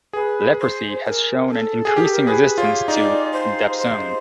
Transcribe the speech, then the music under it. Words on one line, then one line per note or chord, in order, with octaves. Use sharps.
Leprosy has shown an increasing resistance to dapsone.
G#4 B4
C5
A#4
A4
G#4
G4 A#4
A4
A#4
G#4 B4
F4 C#5
D#4 D5
C5
C5